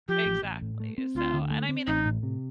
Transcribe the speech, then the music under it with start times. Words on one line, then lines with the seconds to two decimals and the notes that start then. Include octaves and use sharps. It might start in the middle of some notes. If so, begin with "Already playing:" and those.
exactly, so and, I mean,
0.08 F3 G4
0.26 A1
0.43 A1
0.62 A2
0.80 A3
0.98 C4
1.15 D2 F4
1.33 D3
1.51 A3
1.69 C4
1.87 A1 D#4
2.06 A2
2.23 C3